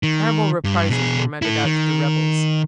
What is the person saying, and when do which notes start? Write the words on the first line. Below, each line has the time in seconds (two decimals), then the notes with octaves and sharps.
Terrible reprisals were meted out to the rebels.
0.03 D#3
0.64 G2
0.89 B2 G#4
1.42 E4 A4
1.64 D#3